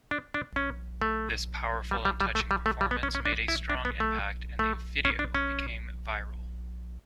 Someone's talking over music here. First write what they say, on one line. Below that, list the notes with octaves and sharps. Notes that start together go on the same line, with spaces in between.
This powerful and touching performance made a strong impact and the video became viral.
D4
D4
C#4
A3
G3
G3
G3
A3
G3
A3
G3
B3
C#4
C#4
D4
E4
D4
B3
A3
A3
C#4
D4
C#4